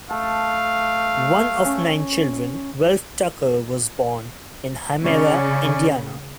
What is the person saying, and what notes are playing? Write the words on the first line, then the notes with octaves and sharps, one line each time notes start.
One of nine children, Ralph Tucker was born in Hymera, Indiana.
A3 F5 A5
C#4
C#3 C#4 D5 C#6